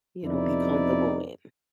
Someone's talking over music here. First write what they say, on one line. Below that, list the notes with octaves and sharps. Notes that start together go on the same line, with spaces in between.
you know be comfortable in,
F2 C3 B3 D#4 E4 D5